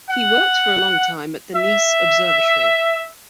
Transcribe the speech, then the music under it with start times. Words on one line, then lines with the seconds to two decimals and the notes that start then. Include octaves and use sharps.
He worked for a long time at the Nice Observatory.
0.10 F#5
1.56 E5